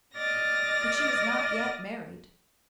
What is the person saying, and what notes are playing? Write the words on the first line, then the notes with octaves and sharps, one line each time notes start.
But she was not yet married.
D5 D#5 F6 A6 A#6